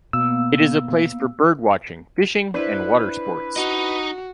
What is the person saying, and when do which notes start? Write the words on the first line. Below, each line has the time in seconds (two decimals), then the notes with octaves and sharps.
It is a place for bird-watching, fishing and water sports.
0.13 B2 A#3 B3 F5 E6
2.54 D4 E4 B4 C5
3.56 D#4 F#4 D#5